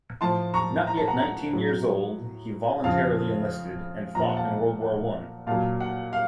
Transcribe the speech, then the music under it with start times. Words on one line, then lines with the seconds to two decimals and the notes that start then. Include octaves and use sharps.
Not yet nineteen years old, he voluntarily enlisted and fought in World War One.
0.21 A2 F3 A5 C6
0.54 A#5 C#6
0.87 A#5
0.97 A5
1.08 F#5 A#5
1.20 F#5 A#5
1.53 A2 F#3
2.84 F2 C#3 F3 F5 A5
4.15 A#2 F3 A#5
4.22 A5
4.29 F#5
4.37 F5 A5
4.82 F#5
5.47 A#2 F#3 F5 A5
5.80 F#5
6.13 F5